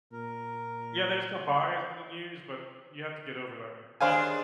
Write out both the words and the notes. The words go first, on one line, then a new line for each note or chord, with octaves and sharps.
Yeah, there's some bias in the news, but you have to get over that.
A#2 A#4
D#2 G#3 D4 C5 F5 G#5